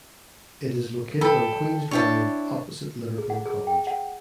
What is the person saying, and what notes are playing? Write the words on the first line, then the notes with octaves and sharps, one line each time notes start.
It is located on Queens Drive opposite Liverpool College.
A4 G5 B5
D4 E4 C#5 G5 A5
G#4
F#5
G#4
G5
F#5